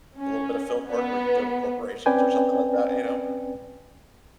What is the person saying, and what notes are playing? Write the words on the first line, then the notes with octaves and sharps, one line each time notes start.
a little bit of field work where you deal with corporations or something like that, you know,
C#4
B3
C4 C#4 B4 D5 G5 G#5